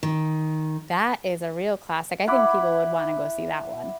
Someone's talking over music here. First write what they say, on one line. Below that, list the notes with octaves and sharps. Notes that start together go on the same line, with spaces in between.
That is a real classic. I think people would wanna go see that one.
D#3
E4 F#5 B5 D6